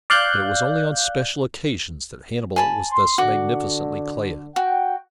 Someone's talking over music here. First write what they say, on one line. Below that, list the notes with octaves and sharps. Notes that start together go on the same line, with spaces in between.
But it was only on special occasions that Hannibal was thus magnificently clad.
D5 F5 F#6 G6
G#5 A5 B5
C6
D3 F#4 D6
F#4 F#5 G5